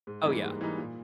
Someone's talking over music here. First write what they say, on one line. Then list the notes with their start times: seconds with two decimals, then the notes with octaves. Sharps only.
Oh, yeah.
0.07 G#2
0.26 E3 G3 A#3 D#4
0.43 G#2
0.61 E3 G3 A#3 D#4
0.78 A#2